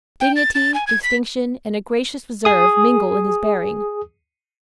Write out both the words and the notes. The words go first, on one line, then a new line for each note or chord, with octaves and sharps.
Dignity, distinction, and a gracious reserve mingle in his bearing.
G5
A6
A6
G#5
G#6
B6
G#4 D#6